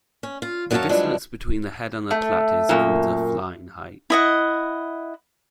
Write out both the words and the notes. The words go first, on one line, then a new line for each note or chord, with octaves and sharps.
The distance between the head and platter is called the flying height.
C#4
F4
F#2 F#3 F#4 C#5 F5 A5
G2 F3 F#3 G#3 D4 E4
A3
F#2 A#2
E4 D#5 F#5